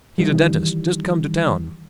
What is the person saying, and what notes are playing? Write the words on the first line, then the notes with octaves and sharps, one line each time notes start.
He's a dentist, just come to town.
D#3 E3 G3